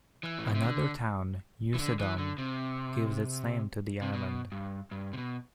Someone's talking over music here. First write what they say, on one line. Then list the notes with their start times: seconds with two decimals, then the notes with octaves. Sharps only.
Another town, Usedom, gives its name to the island.
0.23 E3
0.39 A2
0.47 B2
0.55 C3
0.63 D3
1.74 E3
1.79 D3
1.99 E3
2.18 D3
2.38 C3
4.02 C3
4.13 B2
4.52 G2
4.91 G2
5.13 C3
5.18 B2